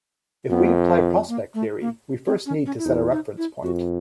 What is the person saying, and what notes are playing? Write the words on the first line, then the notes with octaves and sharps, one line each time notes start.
If we apply prospect theory, we first need to set a reference point.
F2 B3
A#3
A3
A#3
C4
C#4
C#4
E4
E2 D#4
D#4
E4
F2 F#4